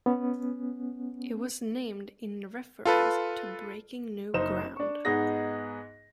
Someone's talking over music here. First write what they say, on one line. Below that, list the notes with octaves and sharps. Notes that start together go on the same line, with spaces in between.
It was named in reference to breaking new ground.
B3 C#4
F4 A4 B4
F#1 D#4 C5 E7
D4 C#6
G#2 B3 D#4 G#4 A#6